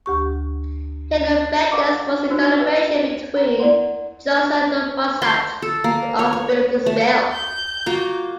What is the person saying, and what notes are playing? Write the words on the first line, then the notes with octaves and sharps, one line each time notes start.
Halo Benders was a collaboration between Johnson and Doug Martsch of Built To Spill.
D2 G4 C#6
A#4 F5 F#5 A5 C#6 D6
D4 D#4 F#4 C5 C#5 E6
A#4 B4 E5 G5
A#5
E4 D5 F#5 C6
C6
A4
A#3
C#5
C#5
A3
G6
A#3 F4 F#4